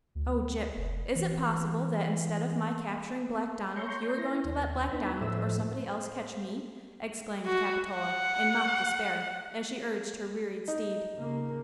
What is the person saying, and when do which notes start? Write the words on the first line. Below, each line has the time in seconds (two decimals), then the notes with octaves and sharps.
"Oh, Gyp, is it possible that, instead of my capturing Black Donald, you are going to let Black Donald or somebody else catch me?" exclaimed Capitola, in mock despair, as she urged her wearied steed.
0.15 D2
0.76 F1
1.15 E3
3.76 C#5 A#5 C6 C#6 G6
4.18 E4 C6 A#6
4.45 D#2
4.91 B3 D4 D#4 B4 A5 B5
5.21 A2 F3 A4 C5 E5 E6
5.74 C5
7.46 F#4
7.90 F#5
10.68 D#4
11.13 C#3 A#3